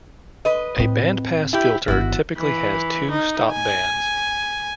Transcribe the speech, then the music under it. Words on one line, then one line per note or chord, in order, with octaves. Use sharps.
A bandpass filter typically has two stopbands.
B4 D#5
A2 C4
E4 G4
G1 D#3 E4 F#4
E3
D#4
G#5